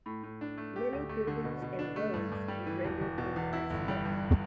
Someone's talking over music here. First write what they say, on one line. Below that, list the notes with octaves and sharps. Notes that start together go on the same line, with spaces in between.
Many buildings and roads were rendered impassable.
A2
A2
D4
A3
G4
D2
A3
D3
B2
B2
D4
A3
G2
G2
G3
E3
E1
E1
B2
E2
E4
G1
G3
G2